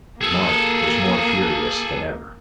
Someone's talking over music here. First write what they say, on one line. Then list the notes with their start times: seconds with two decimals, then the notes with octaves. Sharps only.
Mark was more furious than ever.
0.21 A#3 G#4 A4